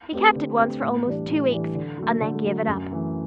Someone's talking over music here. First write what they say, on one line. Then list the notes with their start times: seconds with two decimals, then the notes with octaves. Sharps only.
He kept it once for almost two weeks, and then gave it up.
0.12 A3 C4 G4 B4
0.35 D3
0.59 A3 C4 G4 B4
0.82 A2
1.05 E3 G3 D4
1.28 A2
1.51 E3 G3 D4
1.75 D3
1.98 F#3 A3
2.21 D3
2.44 F#3 A3
2.67 F#2
2.91 E3 A3